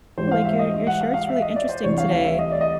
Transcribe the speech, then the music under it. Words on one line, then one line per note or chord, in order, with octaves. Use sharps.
like your your shirt's really interesting today."
G#2 E3 G3 C5
F5
E5
D#5
E5
F#5
F5
F5
E5
D#5
D5
C5
D2 C3 E3 G3 C#5
F5
F5
E5
D#5
D5
D#5